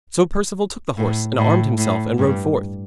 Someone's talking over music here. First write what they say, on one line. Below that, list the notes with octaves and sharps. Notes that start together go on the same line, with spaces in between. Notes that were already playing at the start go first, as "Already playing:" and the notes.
So Perceval took the horse, and armed himself and rode forth.
A2
A2
A2
G2